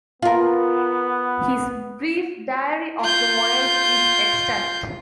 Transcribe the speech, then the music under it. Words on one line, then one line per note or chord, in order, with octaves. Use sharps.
His brief diary of the voyage is extant.
B3 F4 A#4
F4 G6